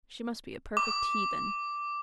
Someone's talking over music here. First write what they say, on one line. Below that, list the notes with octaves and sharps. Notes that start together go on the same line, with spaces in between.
She must be a perfect heathen.
D6